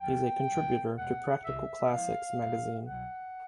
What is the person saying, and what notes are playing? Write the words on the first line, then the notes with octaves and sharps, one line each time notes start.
He is a contributor to "Practical Classics" magazine.
D#2 D3 F3 G5
C#2 B2 G3
E2 B2 G#3 F#5
C2 C3 D#3 E5
A2 F3 G#3 F5
E2 B2 G3
C2 B2 F#3 F#5